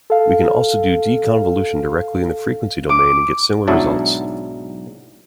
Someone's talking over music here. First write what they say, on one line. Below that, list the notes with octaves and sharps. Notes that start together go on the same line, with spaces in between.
We can also do deconvolution directly in the frequency domain and get similar results.
A4 F5
D6
B1 G#2 F#3 D4 E4 A5